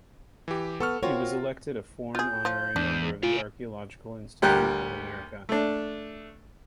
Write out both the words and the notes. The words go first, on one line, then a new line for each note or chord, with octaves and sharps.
He was elected a Foreign Honorary Member of the Archaeological Institute of America.
E3 G4
B3 A4 C#6 F6
C4 F4 F#4 A#4 C#5
F4 G#4 G6
F3
E2 D4
F4 F5 G#5
D2 G3 G4 A#4 F#6
A3 D4